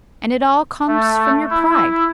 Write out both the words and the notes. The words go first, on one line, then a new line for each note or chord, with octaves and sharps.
And it all comes from your pride.
A3
E4